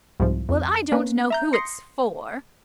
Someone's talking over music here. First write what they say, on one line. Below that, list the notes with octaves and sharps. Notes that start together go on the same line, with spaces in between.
Well, I don't know who it's for!
C2 G#2 F3
F2
A#3 C#4 B4
E5 A#5 G6
C6 D#6 A#6 C7 C#7